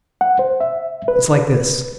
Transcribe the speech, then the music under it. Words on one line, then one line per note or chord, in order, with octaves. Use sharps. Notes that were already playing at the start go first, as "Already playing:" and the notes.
It's like this.
F#5
C5
E5
B4